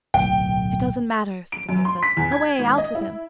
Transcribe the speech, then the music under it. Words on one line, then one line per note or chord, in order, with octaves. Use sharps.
'It doesn't matter!' said the Princess. 'Away! out with him!'
D1 B1 G5
D7
F#2
C6
B6
E2
G#6
G#1
D#5
E4